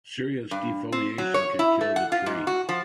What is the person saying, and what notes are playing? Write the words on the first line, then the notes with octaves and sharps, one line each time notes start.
Serious defoliation can kill the tree.
G2
C4
F#3
C#5
E4
A3
F#5
F4
G#2
F#4
F3